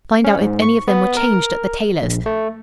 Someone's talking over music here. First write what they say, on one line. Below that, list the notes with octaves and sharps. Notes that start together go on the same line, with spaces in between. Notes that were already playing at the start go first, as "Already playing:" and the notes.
Find out if any of them were changed at the tailor's.
C#4
G#2
C#6
B3
A#4
A#1
A3